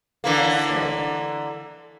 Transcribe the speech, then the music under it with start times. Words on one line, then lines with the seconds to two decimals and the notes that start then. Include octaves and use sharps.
"How so?"
0.24 D3 E3 A#3